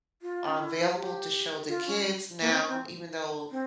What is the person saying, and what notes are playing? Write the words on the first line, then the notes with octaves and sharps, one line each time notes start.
are available to show the kids now, even though,
F4
C#4
E4
G4
F4
C#4
A#3
C4
C#4
C4
C4